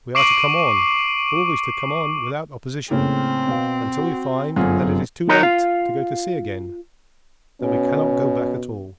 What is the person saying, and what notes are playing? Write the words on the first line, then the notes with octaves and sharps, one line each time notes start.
We are to come on; always to come on, without opposition, until we find that it is too late to go to sea again, that we cannot go back at all.
C#6 D6 C7 D7 D#7 F#7
A2 C#3 A#3 C4
B2 B3 F5
F#4
G1 F#2 C4 F4 G#4 F#5
D#4 F#4 A#4 C#5 D#5
F4 F5
B2 C#4